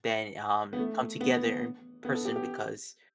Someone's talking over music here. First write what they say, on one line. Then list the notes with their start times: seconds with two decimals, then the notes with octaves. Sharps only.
than, um, come together in person because
0.73 B3
0.79 A3
1.21 B3
2.05 B3
2.15 A4
2.25 G4
2.36 G4